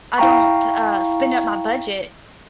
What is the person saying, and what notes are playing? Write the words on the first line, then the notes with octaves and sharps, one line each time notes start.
I don't, uh, spend up my budget
E4 F5 G5 A#5 C#6